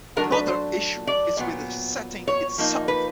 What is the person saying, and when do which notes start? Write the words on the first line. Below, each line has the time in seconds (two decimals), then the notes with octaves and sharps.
Another issue is with the setting itself.
0.17 F#3 A3 D4 A#4
0.32 B4
0.47 C5
1.07 D5
1.37 A#2 F#3 B3
2.28 C#5
2.58 F3 A#3 D#4
2.88 B4